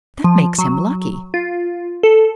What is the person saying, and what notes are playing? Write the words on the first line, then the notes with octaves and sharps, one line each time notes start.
"That makes him lucky."
F3
F#3
F4
A4